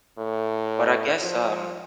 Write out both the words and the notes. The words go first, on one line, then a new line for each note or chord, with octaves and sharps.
But I guess, um
A2
F3